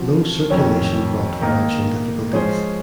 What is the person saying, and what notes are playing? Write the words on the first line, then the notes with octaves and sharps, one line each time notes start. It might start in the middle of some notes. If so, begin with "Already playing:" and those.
Low circulation brought financial difficulties.
Already playing: F3 C4 F#4 C5
F2 D#3 F#3 C#4
D#3 A#3 D#4
F3 G#3 C#4 G#4 C5